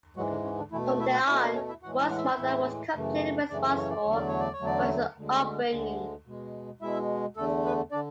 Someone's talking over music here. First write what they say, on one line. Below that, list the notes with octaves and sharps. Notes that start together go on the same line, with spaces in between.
From then on, the boy's mother was completely responsible for his upbringing.
G#2 E3 F#3 G#3 F#4
D3 D4
C#4
D3 D4
B2 E3 A3 E4
C#4 C#5
E4 E5
F#4 F#5
B2 A3 E4 E5
D4 D5
C#4 C#5
E4 E5
A2 E3 G#3 F#4 F#5
F#5
E5
D5
E4 E5
A2 E3 G#3
F#2 C#3 E3 A3
F#2 C#3 E3 A3 D4 D5
C#5
D5
E2 D3 F#3 A3 C#5
D5
C#5
D5
C#5
E2 D3 F#3 A3
D5
C#4 C#5
D2 D3 G#3
D2 D3 G#3
B2 G#3
B2 G#3 E4 E5
E2 D3 A3 A4
B3 B4
D3 D4 D5